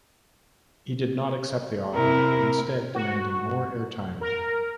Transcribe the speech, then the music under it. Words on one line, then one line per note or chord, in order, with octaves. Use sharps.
He did not accept the offer, instead demanding more airtime.
C3 E4 A#4
F#4
A#4